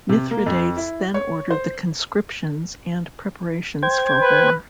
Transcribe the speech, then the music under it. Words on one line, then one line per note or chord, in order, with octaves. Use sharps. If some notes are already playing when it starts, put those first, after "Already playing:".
Mithridates then ordered the conscriptions and preparations for war.
C3
A#3
F2
E4
C#5
C5
C5 G5 G#6
B4